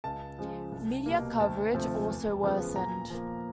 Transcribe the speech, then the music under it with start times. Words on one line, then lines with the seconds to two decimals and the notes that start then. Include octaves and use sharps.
Media coverage also worsened.
0.04 C#2 A5
0.38 C#3 F3 G#3
0.72 C2
1.06 B2 G3 A#3
1.40 D2 A5
1.74 C3 F3 A3 C4
2.08 E2
2.42 C#3 F3 G#3 B3
2.76 A#2 A#5
3.10 F3 A#3